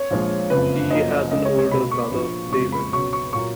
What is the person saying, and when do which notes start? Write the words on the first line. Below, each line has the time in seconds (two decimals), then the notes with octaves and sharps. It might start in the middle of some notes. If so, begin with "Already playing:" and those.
He has an older brother, David.
Already playing: C#5
0.11 A#1 A#2 F3 G#3
0.50 F#1 F2 C#3 F3 B4
0.90 F#2 F3 A#3 D#5
1.11 D#5
1.31 C#2 C#3 G#3 D#5
1.45 C#5
1.58 C#5
1.71 B1 B2 A#3 B5
1.91 C#6
2.11 A#1 A#2 F3 A#3
2.52 F#1 F2 C#3 F3 G#3 C#6
2.72 B5
2.92 C#2 B2 F#3 C#6
3.13 C#6
3.33 A#2 F#3 A#3 C#6